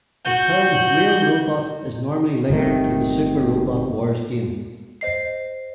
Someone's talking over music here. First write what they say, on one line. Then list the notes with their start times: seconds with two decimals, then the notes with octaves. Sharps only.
The term "real robot" is normally linked to the "Super Robot Wars" game.
0.25 F#4 G6
2.50 G1 C3 D#3 A3
5.01 C5 D#5 C7